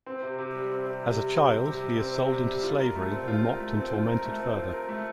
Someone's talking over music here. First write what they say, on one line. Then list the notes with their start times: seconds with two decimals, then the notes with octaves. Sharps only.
As a child, he is sold into slavery and mocked and tormented further.
0.06 C4
0.22 C3
0.38 C3
0.54 G3
0.71 C4
0.86 C3
1.03 C3
1.19 G3
1.35 C4
1.51 C3
1.67 C3
1.83 G3
2.00 C4
2.15 C3
2.32 C3
2.47 G3
2.63 F4
2.80 A#4
2.95 A3
3.12 C4
3.28 F4
3.45 A#4
3.60 A3
3.76 C4
3.93 F4
4.08 A#4
4.25 A3
4.40 C4
4.56 F4
4.73 A#4
4.89 A3